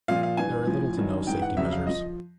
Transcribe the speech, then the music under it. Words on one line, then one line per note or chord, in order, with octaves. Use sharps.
There are little to no safety measures.
A#2 F3 F5
F5
G2 E3 G#5
A2 F3
G2 D#3 F#3
G#2 E3 G5
F#5
F2 C#3 F#3 E5
F5
F3 D#5